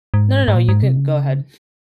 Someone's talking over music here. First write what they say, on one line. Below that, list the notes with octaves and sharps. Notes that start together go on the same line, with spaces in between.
No, no, you can go ahead.
G#2
G#2
A#2
G#2
C3
C#3